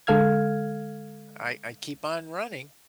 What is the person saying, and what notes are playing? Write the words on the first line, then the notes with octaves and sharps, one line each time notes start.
I I keep on running.
D3 G#3 A4 F5 F6 G#6